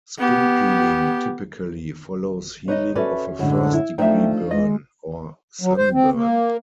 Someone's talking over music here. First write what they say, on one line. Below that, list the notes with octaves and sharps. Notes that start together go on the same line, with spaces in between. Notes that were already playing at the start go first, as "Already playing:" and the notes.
Skin peeling typically follows healing of a first degree burn or sunburn.
B3 G4
D#4 B4 C#5 D#5
C#4 F#4 A4 B4 D5 E5
F#2 A2 D3 G#3
E4
F3 A3 D4 D#4 E5 G5
G#3 D#5
F#3
C5
C4
A#3